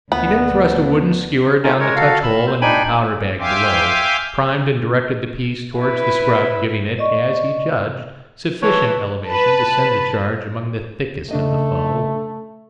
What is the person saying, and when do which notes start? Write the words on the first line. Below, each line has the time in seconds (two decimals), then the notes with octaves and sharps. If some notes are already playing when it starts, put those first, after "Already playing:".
He then thrust a wooden skewer down the touch-hole into the powder bag below, primed and directed the piece towards the scrub, giving it, as he judged, sufficient elevation to send the charge among the thickest of the foe.
0.12 D2 B2 B3 D4
1.63 A3 C#4 D#4 F4
1.80 G#3 A#4 C#5
1.96 F#4 A4 F5
2.23 B5 E6
2.47 C5
2.61 D4 D#4 G5 G#5 B5
3.40 E5 F5 G5 G#5 C6 D6
5.79 E4 B4
6.98 D5 D#5 C#6
8.62 E3 B4 C#5 A5
9.26 B4 A5
11.31 C#3 A3 D4 D#5